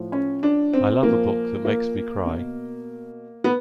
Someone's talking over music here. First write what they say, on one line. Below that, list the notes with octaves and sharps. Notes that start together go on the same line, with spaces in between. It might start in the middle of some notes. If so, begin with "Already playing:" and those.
I love a book that makes me cry.
Already playing: A2 F3
C#4
D4
C4
A#2 F3 A#3
A#3
B2
B3